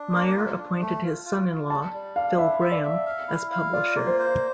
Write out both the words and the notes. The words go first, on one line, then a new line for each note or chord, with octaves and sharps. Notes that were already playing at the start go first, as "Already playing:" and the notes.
Meyer appointed his son-in-law, Phil Graham, as publisher.
Already playing: D4
A#3
F4
D4
A3
F4
F4
F4
G3 A5
G3
D4 F5
E4 E5
E5
D5
E5
F5
E4
F5
F4 D5
A#3
C5
C5